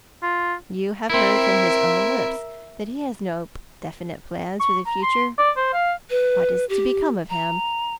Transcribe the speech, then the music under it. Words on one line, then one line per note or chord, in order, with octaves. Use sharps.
You have heard from his own lips that he has no definite plans for the future. What is to become of him?
F4
C4 E4 A#4 E5
C#6
A#5
C6
D5
C5
F5
B4
G4
A#5